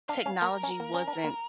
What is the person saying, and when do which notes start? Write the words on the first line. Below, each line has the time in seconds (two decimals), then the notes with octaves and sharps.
technology wasn't
0.09 D4 F5
0.26 C#4
0.42 A#3 A#4
0.63 C#4
0.80 A#3
0.94 C#4
1.07 D4
1.24 A#3